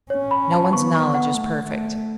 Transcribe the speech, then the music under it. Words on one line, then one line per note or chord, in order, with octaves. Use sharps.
No one's knowledge is perfect.
C#4 C#5
B5
A5
B3 C#6
C#6
F#5
A3
A3